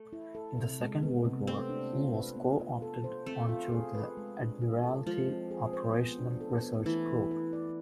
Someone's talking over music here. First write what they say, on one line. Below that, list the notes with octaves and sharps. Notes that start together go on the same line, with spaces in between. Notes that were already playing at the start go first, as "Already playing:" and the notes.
In the Second World War he was co-opted onto the Admiralty Operational Research Group.
Already playing: A3
E4
A4
C3
G#3
B3
C3
A3 C4
D4
F4
B4
B3
F4
A4
C5
A3 C4
F4
G#4
B4
G#3
D4
F4
A4
F3 G#3
C4
G#4
C5
B3
D4
A4
B3
E3 A3
E4
B4
D5